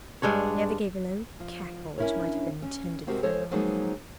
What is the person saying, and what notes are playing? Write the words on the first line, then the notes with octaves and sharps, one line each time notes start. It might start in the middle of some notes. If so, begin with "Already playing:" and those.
The other gave a low cackle, which might have been intended for a laugh.
G2 G#3 D4 C#5
F3
C#4 D4 E4 F4 A#4 C#5
C#4
C3 G#3 C4 F#4 G4 A#4
G#3 A4 C5 C#5
F3 F#3 G#3 A#3 B3 D#4